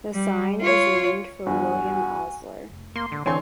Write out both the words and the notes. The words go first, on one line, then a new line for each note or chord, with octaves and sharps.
The sign is named for William Osler.
G3
F4 C#5
E2 G2 F#4 G#5
F1
A#3 C6
A2 D3
D2 D3 E3 C4 C#5 G#5 C6